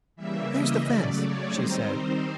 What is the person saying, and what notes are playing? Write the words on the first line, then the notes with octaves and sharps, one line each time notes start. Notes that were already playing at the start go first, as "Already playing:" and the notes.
"There's the fence," she said.
C#3 E3 G3 A#3 E5
D#5
C#3 F#3 A3 D5
C#5
D#3 G3 C4 D#4 C5